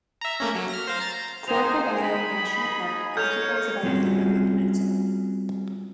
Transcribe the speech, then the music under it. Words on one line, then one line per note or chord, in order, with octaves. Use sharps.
Corcovado National Park occupies about a third of the peninsula.
E5 A#5
A3 A#3 C#4
F#3
F6 A#6
C5 F5
A#5 A6
D#4 G#4 C5 G5 F7
D#4 G#4 B5
A4 C#5 F6 G6 G#6 F7
G3 C4 C#4 F4 F#4 G#4